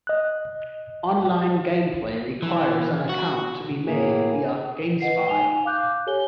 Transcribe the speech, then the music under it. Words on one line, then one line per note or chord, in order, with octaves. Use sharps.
Online gameplay requires an account to be made via GameSpy.
D#5 F#6
E3
F#4
A2 A#3 G#4
B4 D#5 F#5 C7
D#4 G#5 F7 G7
F5 D6 F#6 G6
G4 A4 C#5 G#5 G7